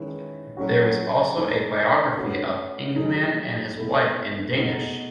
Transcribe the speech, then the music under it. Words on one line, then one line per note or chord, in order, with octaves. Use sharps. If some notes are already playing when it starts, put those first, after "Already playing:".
There is also a biography of Ingmann and his wife in Danish.
Already playing: D#3 G#3 C#4 E4 B4
A2 F#3 A3 C#4 F#4
A3 D#4 A4
A3 C#4 F#4 B4
F#3 A3 D#4 G#4
B2 A3 E4
B2 A3 D#4 G#4